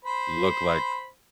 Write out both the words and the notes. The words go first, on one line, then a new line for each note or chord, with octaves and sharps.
look like
C5 B5